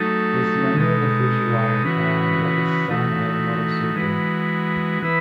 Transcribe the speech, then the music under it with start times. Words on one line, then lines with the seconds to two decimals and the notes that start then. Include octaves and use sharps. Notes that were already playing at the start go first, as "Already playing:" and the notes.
This member of the Fujiwara clan was a son of Morosuke.
Already playing: F#3 A3 D#4 A4
0.77 B2 G#3 D#4 A4
1.84 C#3 E3 B3 F#4
2.89 E3 A3 D#4 F#4
3.96 E3 G#3 B3 F#4
5.02 E3 B3 E4 B4